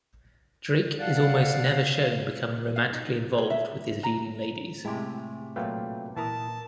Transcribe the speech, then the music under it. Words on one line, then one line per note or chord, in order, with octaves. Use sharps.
Drake is almost never shown becoming romantically involved with his leading ladies.
D5 F5 F#5 A5
F5
D#4
G#4
E5
A#5
A2 C3 G#3 E4 G4 G#5
A#2 F#3 A3 B4 F5 G5
A#2 E3 E4 A#4 A5 A#5 D#6